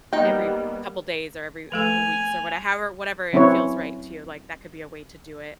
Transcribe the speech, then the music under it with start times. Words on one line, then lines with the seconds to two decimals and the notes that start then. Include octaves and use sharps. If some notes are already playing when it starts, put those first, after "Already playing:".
every couple days or every couple weeks or whate however, whatever it feels right to you, like, that could be a way to do it
0.13 G3 A#3 B3 D#4 G5
1.72 F3 A3 A4 G#5 F7 F#7
3.33 F#3 C4 C#4 E4 B4 C#5